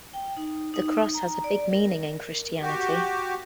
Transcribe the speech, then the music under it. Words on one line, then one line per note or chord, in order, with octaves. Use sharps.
The cross has a big meaning in Christianity.
G5
D#4
D#4
A#5
D5
A#4
F#4 G4